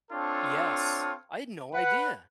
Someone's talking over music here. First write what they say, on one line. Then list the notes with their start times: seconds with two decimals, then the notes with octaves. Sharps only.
Yes, I'd no idea.
0.11 C4 D4 F4 A4 C#5
1.75 B4 F#5